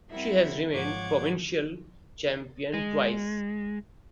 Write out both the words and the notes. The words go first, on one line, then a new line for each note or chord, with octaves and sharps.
She has remained provincial champion twice.
G3 C4 E4 A#4 E5 F#5
G#2 F3 C#5 F#5 D6 G#6
G#3